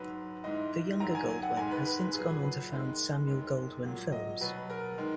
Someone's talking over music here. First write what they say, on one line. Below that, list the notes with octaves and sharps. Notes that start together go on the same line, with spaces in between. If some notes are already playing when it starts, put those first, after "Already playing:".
The younger Goldwyn has since gone on to found Samuel Goldwyn Films.
Already playing: G#2 F#3 B4
G#2 E3 G#3 D#5
F#2 D#3 F#3 A#5
G#5
G#5
F#5
G#2 D#3 G#3 G#5
B4
B4
B4
A#2 F#3 G#4
B4
B4
F#2 D#3 G#3
F#2 D#3 G#3
A#2 F#3
D#5
B2 F#3 B4
A#4
D#3 G#3